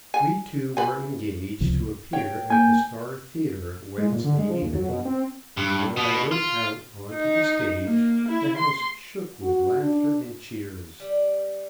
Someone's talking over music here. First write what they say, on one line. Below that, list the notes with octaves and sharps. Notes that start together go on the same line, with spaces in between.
We two were engaged to appear at the Star Theatre Wednesday evening, and when I rode out on to the stage the house shook with laughter and cheers.
G#5
B4 G#5
C#2 C3 F3
C#5 G5
A#3 G#5 G6
G#3
A#2
D3
G#3
F3
D#2
F#3
B2
C4
G2
B2
F4
D#4
A#3
E4
C6
F#4
D4
G3